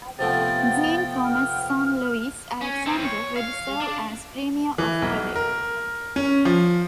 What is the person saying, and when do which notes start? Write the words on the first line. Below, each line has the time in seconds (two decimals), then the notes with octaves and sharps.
Jean-Thomas's son Louis-Alexandre would serve as Premier of Quebec.
0.19 C3 F3 A3 B3 G5 A6
1.25 F6
2.61 C#4
2.86 E3 C4
3.05 C#5
3.36 F5
3.80 D4
4.78 E3
5.02 B1
5.35 A#4
6.16 C#4
6.45 F3